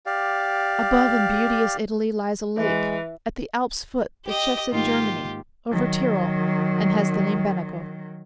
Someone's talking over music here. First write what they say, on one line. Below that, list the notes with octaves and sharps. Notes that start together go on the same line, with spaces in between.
Above in beauteous Italy lies a lake At the Alp's foot that shuts in Germany Over Tyrol, and has the name Benaco.
G4 D5 F5
E3 G#3
G4 D#5
G#2 D#3 A#3 F4 G4
D#3 F#3